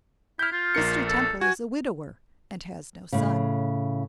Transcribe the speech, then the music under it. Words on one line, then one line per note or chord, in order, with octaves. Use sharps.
Mr. Temple is a widower, and has no son.
E4 F6 G6
F4
A#1 A#4 C#7
A4
F#4 G#5
A2 C#3